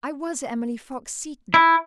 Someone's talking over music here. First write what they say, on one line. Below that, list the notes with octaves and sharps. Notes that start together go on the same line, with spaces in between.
I was Emily Fox-Seton.
E4